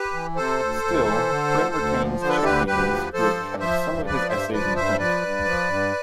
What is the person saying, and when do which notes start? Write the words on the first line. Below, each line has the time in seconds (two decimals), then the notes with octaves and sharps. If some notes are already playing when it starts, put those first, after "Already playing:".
Still, Krim retains champions who have kept some of his essays in print.
Already playing: G4 B4
0.13 E3
0.36 C3 A4 C5
0.60 D2
0.82 D2
1.06 E3
1.29 D3
1.51 D2
1.75 D2
1.99 F3
2.21 D3 C5
2.29 B4
2.37 A4
2.44 D2 G4 B4
2.67 D2 G4 B4
2.91 F3
3.13 F3 A4 C5
3.37 G2
3.59 F3 C5 E5
3.84 G2
4.06 F3 B4 D5
4.29 G2 C5 E5
4.52 F3 B4 D5
4.76 G2 C5 E5
4.99 F3 B4 D5
5.22 G2
5.45 F3
5.68 G2